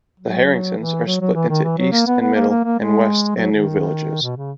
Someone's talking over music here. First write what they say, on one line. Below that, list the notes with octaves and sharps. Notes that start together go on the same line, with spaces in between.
"The Herringtons" are split into "East and Middle" and "West" and "New" villages.
F#3
E3
F#3
F#3
E3
D#3
E3
F#3
A#3
B3
B3
A#3
A#3
A#3
G#3
F#3
D#3
B2
C#3